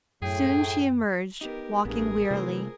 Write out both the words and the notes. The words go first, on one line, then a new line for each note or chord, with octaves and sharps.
Soon she emerged, walking wearily.
F#2 A2 G#4 G5
B3 D#4 G4 A#4
A1 G2 B3 G#4 A#4
C3 E3 A3 F4 C5 C6